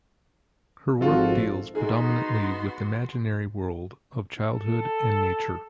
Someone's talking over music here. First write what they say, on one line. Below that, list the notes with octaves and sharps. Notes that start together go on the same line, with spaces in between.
Her work deals predominately with the imaginary world of childhood and nature.
G#1 F3 F4 F#4 A4
B3 D#4 F#4 G#4 C6
A4